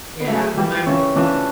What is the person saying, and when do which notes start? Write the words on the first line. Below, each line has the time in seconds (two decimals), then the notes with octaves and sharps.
Yeah. I'm
0.20 B3
0.28 F#3 A3 E5
0.57 E3 G3 G4
0.86 C#3 E3 C#5
1.16 C#3 E3 D4